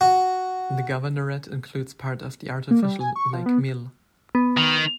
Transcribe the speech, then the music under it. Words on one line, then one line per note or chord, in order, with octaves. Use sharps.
The governorate includes part of the artificial Lake Milh.
F#4
A#3
G3
G#5
C#6
F3
B3
B3
D#3